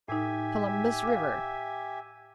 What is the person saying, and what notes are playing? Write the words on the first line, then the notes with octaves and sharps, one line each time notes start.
Columbus River.
A2 D#4 G4 E5 G#5
F5 D6